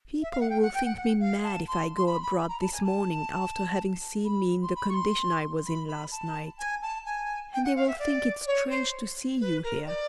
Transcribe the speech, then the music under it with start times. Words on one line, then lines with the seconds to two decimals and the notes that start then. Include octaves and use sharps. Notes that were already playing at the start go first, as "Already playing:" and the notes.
People will think me mad if I go abroad this morning after having seen me in the condition I was in last night, and they will think it strange to see you here.
0.21 E5
0.31 F5
0.40 F#5
0.49 G5
0.61 F#5
0.73 G5
0.85 F#5
0.97 F#5
1.20 F5
1.43 A5
1.67 C6
1.96 C6
2.06 B5
2.21 B5
2.36 B5
2.48 A#5
2.60 A5
2.72 G#5
2.84 A5
4.24 B5
4.62 C6
4.74 B5
4.89 C#6
4.93 C6
5.65 B5
5.88 B5
6.11 A5
6.58 G#5
6.82 A5
7.05 G#5
7.53 G5
7.64 F#5
7.76 F5
7.87 E5
7.99 D5
8.46 C#5
8.69 C5
9.40 B4
9.63 A#4
9.86 D5